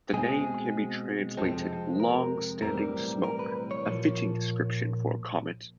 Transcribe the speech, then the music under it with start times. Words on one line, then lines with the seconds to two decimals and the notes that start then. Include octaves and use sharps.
The name can be translated 'long standing smoke', a fitting description for a comet.
0.14 B2 G#3 C4 G#4
1.37 F2 C3 F3 G#3 C4 A4
2.00 A#4
2.62 B1 A2 E3 G3 C4 A#4
3.24 A#4
3.39 B4
3.71 C#5
3.86 A#2 F3 A#3